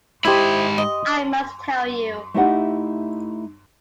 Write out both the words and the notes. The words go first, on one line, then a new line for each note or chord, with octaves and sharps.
I must tell you.
G#2 E4 G4 C5 D#5 E5 B5
D#5
A3 D#4 E4 G4 D#5 F#5